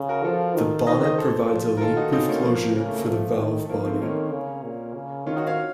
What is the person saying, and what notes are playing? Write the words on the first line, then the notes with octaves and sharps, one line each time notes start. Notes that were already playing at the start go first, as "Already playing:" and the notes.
The bonnet provides a leakproof closure for the valve body.
Already playing: C#3
F#4 A#4
F3 F4 A4
D#3
D#3 C5 D#5
C5 D#5
A4 C5
F3
A#4
D#3 F4 A4
D#4 F#4
C#3 C4 D#4
A#3 C#4
F3 A#3
C#3 A#3
A3
A#3
F3 A3
D#3
A3
F3 A#3
A3 C4
D#3 A#3 C#4
C#3
A#2
C#3
D#3 C#4 F4
D#4 F#4
C#5 F5